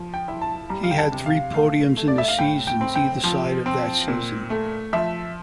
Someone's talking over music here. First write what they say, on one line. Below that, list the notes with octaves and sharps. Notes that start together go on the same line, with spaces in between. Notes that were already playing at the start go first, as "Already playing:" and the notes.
He had three podiums in the seasons either side of that season.
Already playing: F3
G5
E4
A5
G3 A#5
F5
G5
A5
C3
F5
A3 F5
A3
D5
E5
F5
A2 G5
G5
C4
G5
F3
C4
A#2
A3
F3 E5